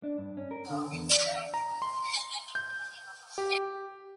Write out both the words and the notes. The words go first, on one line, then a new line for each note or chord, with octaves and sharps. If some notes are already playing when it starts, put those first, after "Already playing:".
The island is also home to many of the indigenous Jarawa people.
D4
G2
C#4
A#4
D3
E2
D5
A#5
C6
G6
G4